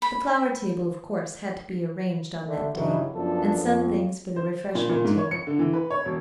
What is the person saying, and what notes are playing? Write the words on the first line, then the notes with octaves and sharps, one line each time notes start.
The flower table, of course had to be arranged on that day, and some things for the refreshment table.
B5
D3 A3
G2 C#3 F#3 D#4 E4
F#2 F3 B3 D4 A4
F2
C5
A#2
A#2
G#2
C#5
C#7
D3
E3
B4
C#5
E1